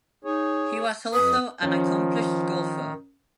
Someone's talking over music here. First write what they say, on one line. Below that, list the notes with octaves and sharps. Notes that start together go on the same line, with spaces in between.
He was also an accomplished golfer.
D#4 G#4 C#5
F2 B4 D#6
D#3 F3 C#4